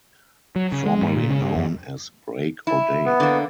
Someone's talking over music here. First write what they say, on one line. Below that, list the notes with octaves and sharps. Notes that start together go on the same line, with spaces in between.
Formerly known as Break O'Day.
F#3
C#3
G#3
G#2
A#2
C#3
G2
F2
E4
B3
D3 A#3